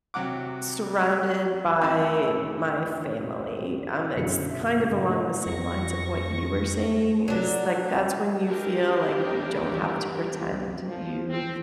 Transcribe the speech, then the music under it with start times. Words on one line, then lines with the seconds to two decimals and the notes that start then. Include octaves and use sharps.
surrounded by my family. Um, it's kind of along the same lines of what you were saying, is like that's when you feel like you don't have to pretend, you
0.14 C3 F#3 F#5 D6
1.82 F2 A2 E4 A5
4.16 G1 F#2 B2 D3 G#4 C#7
4.51 E5
4.77 G2 A#2 C#3
5.10 A3 E4 D#5
5.46 F2 C#6 A#6
7.28 F#3 D4
8.45 E3 G3 D4 G4 A#4
10.86 F3
11.29 C4